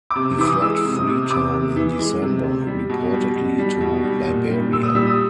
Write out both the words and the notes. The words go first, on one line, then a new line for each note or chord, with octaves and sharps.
He fled Freetown in December, reportedly to Liberia.
D6
C3
E3 D6
D#6
G#3 E6
C3
D#6
C3
C3 D6
C3
E3
G#3
C3
C3
G3
B2
G3
B2
G3
B2
G3
A#2
G3
A#2 E6
D#6
G3 E6
D#6